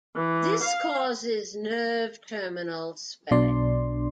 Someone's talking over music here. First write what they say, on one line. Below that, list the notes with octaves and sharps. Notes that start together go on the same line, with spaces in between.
This causes nerve terminal swelling.
E3
F5
B1 B2 D4 D5 C6